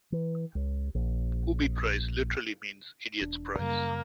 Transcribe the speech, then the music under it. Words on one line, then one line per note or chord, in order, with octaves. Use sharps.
Booby prize literally means "idiot's prize".
E3
C#2
A#1
E1 D4
F#2 C#3 G3 A#3